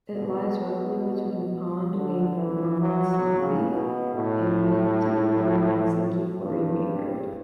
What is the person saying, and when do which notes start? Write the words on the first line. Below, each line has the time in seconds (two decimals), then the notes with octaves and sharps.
It lies roughly between a pond named Lammaslampi and Vihdintie, former Helsinki-Pori main road.
0.14 B2
1.92 D3
2.36 E3
2.81 F#3
3.11 F#3
3.40 C#3
3.71 B2
4.15 A2
6.38 G2